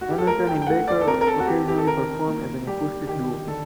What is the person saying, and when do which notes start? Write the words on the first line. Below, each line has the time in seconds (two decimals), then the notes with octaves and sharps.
Hamilton and Baker occasionally perform as an acoustic duo.
0.01 F#4
0.10 G4
0.18 A4
0.27 A3 A#4
0.47 G5
0.62 G5
0.67 A3 F#5
0.88 D5
1.01 A4
1.07 C4 A#4
1.21 A#4
1.27 A4
1.40 F#4
1.47 C4 G4
1.68 G4
1.78 A4
1.87 D#3 A#4
2.27 A#3
2.67 G3 G4
3.07 D#3 G4
3.47 D3 A4